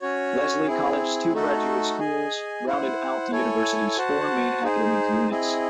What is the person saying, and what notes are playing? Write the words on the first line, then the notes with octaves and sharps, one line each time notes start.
Lesley College's two graduate schools rounded out the university's four main academic units.
C#4 F#4 C#5
C4 E4 G#4
A3 D#4 F#4 A4
G#4 D#5 G#5
E4 C5 F#5
E4 A4 C#5 G#5
F#4 C5 F#5 A5
D#4 G#4 C5
C4 E4 G#4 D#5